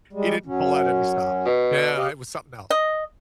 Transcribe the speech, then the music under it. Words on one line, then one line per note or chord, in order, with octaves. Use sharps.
he didn't pull out any stops. Yeah, it was something else.
G3 G#3
F#2 F#3 C#4
B2
G4 D#5 F5
D#5